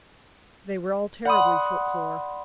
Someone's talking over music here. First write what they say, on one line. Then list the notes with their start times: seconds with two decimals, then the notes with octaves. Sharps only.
They were all terribly footsore.
1.25 D5 F#5 B5 C6 D#6